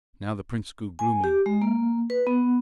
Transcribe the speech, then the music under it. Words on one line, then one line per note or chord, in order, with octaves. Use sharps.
Now the prince grew gloomy.
G#5
G4
G#3
A#3
B4
B3